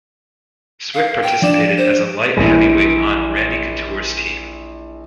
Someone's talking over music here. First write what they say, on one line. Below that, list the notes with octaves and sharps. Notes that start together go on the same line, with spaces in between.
Swick participated as a light heavyweight on Randy Couture's team.
F5
G5
F3 D4 D5 E7
C5
A#1 E3